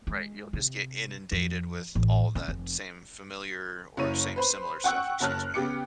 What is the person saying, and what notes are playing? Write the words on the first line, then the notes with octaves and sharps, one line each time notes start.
Right. You'll just get inundated with all that same familiar or same similar stuff, excuse me.
G#3
C3
F2
A1
C#3
F1
F#1 E4 C#5 D#7
B4 C5 B5
F#5 G5 C#6 E6 F#6
F#1 C#5 A5 F6 F#6
C#3 B3 G4 D6 C#7